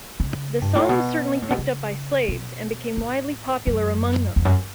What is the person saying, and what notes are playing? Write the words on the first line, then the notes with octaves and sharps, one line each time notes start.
The song was certainly picked up by slaves and became widely popular among them.
C#3
G2
A2
B2
A2
B2
C#3
B2
A2
F#2
E2
F#2